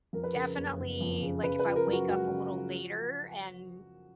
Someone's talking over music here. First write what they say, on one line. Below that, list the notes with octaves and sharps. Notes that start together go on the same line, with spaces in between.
definitely, like, if I wake up a little later and,
F2 A#4
B4
C#3 A#4
F#1
F#1
F2
C#3
C#3 B4
B4
F3
A#4
F#2
F#4
G#3 F#4
C#3
F3
F3